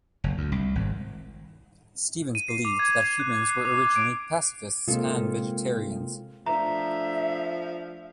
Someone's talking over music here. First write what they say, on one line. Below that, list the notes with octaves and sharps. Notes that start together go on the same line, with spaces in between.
Stevens believed that humans were originally pacifists and vegetarians.
F#1
D2
C2
G#1
D#7
C7
D6
G#6
G#6
C7
F#6
G#6
C7
D6
D6
D7
C3 G#3 A#3 C4 F4 A4
F3 A3 D4 E5 A#5